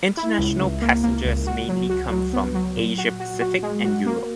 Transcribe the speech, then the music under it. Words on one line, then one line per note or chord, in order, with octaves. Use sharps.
International passengers mainly come from Asia Pacific and Europe.
E4
C#2
C#2
A#3
A#3
C#2
F#4
F#3
F#4
F#3
B3
F#3
A#2
F#4
F#4
F#4
G#3
F#4
A#3